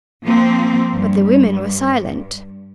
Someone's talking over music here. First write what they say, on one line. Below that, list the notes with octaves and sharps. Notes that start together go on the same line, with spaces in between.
But the women were silent.
F3 A#3 C4
G2